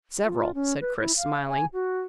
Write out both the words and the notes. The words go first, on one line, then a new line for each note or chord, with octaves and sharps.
"Several," said Chris, smiling.
F4
C#4
B4
E4
F5
G#5
F#4